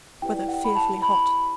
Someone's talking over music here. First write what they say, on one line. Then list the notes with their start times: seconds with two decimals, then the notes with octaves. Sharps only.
Weather fearfully hot.
0.22 E4 G4 B4 D5 G5
0.48 F#5
0.64 B5
0.76 A5
1.02 B5